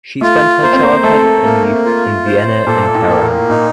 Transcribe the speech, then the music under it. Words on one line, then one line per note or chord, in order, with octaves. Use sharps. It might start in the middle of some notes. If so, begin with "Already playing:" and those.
She spent her childhood and youth in Vienna and Tehran.
A3 F4
A#3 C5
C4
A#3
A3 A4
A#3
F4
C5
A#2 A4
A2
A#3
A#2
A#2 D#4